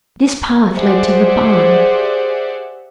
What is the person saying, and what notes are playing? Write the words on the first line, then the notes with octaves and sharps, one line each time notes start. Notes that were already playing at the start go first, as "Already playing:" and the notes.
This path led to the barn.
G4 G#4 C5 D5 E5 F#5